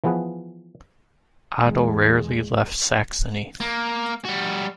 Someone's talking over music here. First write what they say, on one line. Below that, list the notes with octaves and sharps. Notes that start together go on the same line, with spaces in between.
Otto rarely left Saxony.
E3 F3 B3 G#4 B4
E2 G#3
A#3
G3 F#4